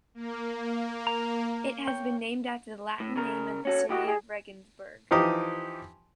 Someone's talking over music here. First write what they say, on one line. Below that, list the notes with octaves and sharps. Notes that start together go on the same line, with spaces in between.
It has been named after the Latin name of the city of Regensburg.
A#3
A#5
C#5 G5
A2
C#3 A#4
C#4 F#4 A4 C#5
A2 F#4 G4 D#5
G#4
E3 F3 D#4 G4 D#6